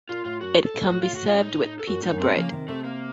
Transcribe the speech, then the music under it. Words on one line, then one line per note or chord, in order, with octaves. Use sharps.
It can be served with pita bread.
A#2 F4
A2 F4
F#2 F#4
A4
A#2
A2 F#4
F4
F#4
F4
C#4
D#4
A4
F#2 F#4
A2 D#4
F#2
A2 C4
C#3 F3 A#3
C3 D#3
C3 A3
A#3